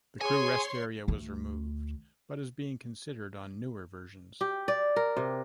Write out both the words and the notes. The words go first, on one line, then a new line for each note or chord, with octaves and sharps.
The crew rest area was removed, but is being considered on newer versions.
G#4 C#5 G#5 C6
D2 A3
G4
D5
A#4
C3